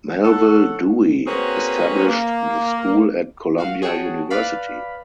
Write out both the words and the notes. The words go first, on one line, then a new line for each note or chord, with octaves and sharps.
Melvil Dewey established the school at Columbia University.
A4 C#5 F#5
A#3 C4 C#4 F#4 G#4 B4
A#3
F#4 F5
F#4 G#4 C#5 F#5 G5 A5
B4 D5 F5 B5